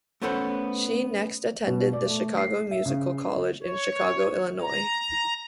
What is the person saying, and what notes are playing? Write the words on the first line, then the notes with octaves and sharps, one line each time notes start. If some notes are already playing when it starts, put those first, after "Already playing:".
She next attended the Chicago Musical College in Chicago, Illinois.
A3 B3 C#4 A4 C5 B5
B2
D5
A3
C7
E5
C#3
C#5
A#5